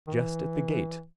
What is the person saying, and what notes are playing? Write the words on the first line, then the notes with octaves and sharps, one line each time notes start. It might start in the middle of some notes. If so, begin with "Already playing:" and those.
Just at the gate.
D#3
E3